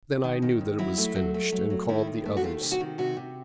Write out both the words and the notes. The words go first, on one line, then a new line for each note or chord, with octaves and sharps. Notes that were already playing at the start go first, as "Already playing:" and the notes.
Then I knew that it was finished, and called the others.
D#3
D#3
D#2
F#3 E4
A3
F#3
A3
F#3
F#3
D#3 E4
D#2
A3
F#4
D#3 F4
C3
F#4
D#3
C3 F#4
C3